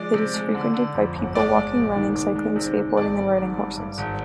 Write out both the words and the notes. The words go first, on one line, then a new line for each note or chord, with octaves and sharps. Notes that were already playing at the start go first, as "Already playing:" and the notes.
It is frequented by people walking, running, cycling, skateboarding and riding horses.
Already playing: F3 G#3 D5
C3
G#3
D3
D3
F2
G1
G#3 D5
G#3
A#1
D#3
G#3
G#3
C3
C3
G#1 D5
G3
G#2
G3
G2
G#1